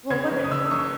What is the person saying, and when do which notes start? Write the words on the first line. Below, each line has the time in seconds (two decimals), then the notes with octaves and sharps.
Well, what it well
0.10 C#3 G#6
0.31 F#1
0.44 D#6
0.51 C#3 E6
0.71 F#1 C#6